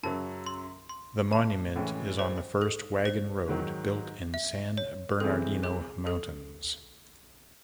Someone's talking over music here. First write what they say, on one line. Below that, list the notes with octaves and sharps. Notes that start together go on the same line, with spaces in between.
The Monument is on the first wagon road built in San Bernardino Mountains.
F#2 C#3 F#3 A5
C6
C6
A5
A2 E3 G#3 C#4 G#4
C5
A4
C5
G#2 D#3 F#3
E5
C#5
C3 E3 G#3 C4 A4
G#4
A4